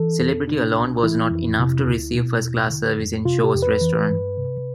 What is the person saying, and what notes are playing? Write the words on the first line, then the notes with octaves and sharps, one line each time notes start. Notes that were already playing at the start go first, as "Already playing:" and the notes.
Celebrity alone was not enough to receive first-class service in Shor's restaurant.
Already playing: E3 A4
F2
C3 D4
C2
E3 E4
F2
C3
D2
B2
E2
D3
F2
C3 F4
G4
F2
B4
E3
G2
C3